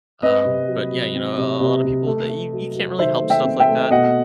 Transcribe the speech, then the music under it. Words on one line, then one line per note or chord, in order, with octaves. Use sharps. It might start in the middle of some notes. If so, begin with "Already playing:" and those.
Um, but yeah, you know a a a a lotta people that you you can't really help stuff like that,
C4 B4 D#5
C3
F#3
F#3
C4
C3
C3
C3
A3
A3
F#3
F#3
D#3 C5 E5
A3
E5 G5
C4
E5 G5
A3
B2 D#5 F#5